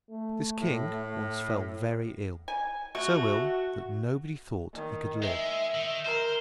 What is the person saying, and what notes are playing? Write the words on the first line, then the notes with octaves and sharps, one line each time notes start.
This king once fell very ill--so ill that nobody thought he could live.
A3
A2
G#5
A3 F#4
D#3
G#3 E5
D#3
A#4 C5